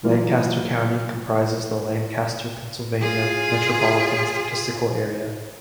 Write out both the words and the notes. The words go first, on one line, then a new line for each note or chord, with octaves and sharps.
Lancaster County comprises the Lancaster, Pennsylvania Metropolitan Statistical Area.
E3 F#3 A#3 F4
F4 G#4